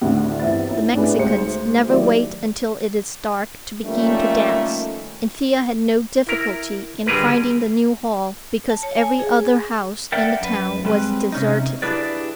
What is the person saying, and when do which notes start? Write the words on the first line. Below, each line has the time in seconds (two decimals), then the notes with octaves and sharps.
The Mexicans never wait until it is dark to begin to dance, and Thea had no difficulty in finding the new hall, because every other house in the town was deserted.
0.01 D2 A2 D3
0.39 G1 E3 C4 E5 A6
0.67 C#4 D#4 E4
0.94 A2 D4 E4 G#4 B4
1.18 D2 G#3 D#4 C5 C#7
1.88 D#3 F#3 A3 E4 G4 D5
3.85 D#3 F3 G3 A3 A#3 C#4
6.27 E4 A#4
7.06 D3 G3 G#4 A#4 B4
8.70 A5
8.83 C#5
8.97 G#5
9.20 G#4
10.12 A#4 D5 E5 F#5 G5
10.41 F#2 B4
10.85 G3 G#3 C4 B4
11.32 C3 C#4 D#4
11.82 D4 E4 G4 G#4 B4 D5